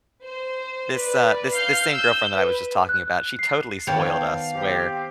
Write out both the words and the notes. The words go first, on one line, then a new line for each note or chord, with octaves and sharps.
This, uh this this same girlfriend that I was just talking about, she totally spoiled us where,
C5
B4 D5
F5 F6 G6 C7
E6 G6
B4
F#6
C7
D#3 B3 C#5 D5 F5 G5 A5
C4 G4